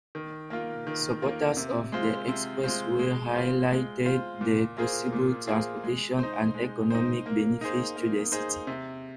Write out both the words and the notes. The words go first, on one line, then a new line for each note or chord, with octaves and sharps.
Supporters of the expressway highlighted the possible transportation and economic benefits to the city.
D#3
A#3 F4
D#3
A#3 F4
C3
G#3 F4 C5
C3
G#3 F4 C5
G#3
F4 C5
G#3
F4 C5
A#2
A#3 F4 G#4 C5
A#2
A#3 F4 G#4 C5
G#3
D#4 C5
G#3
D#4 C5
A#3
D#4 G#4 C5
A#3
D#4 G#4 C5
C3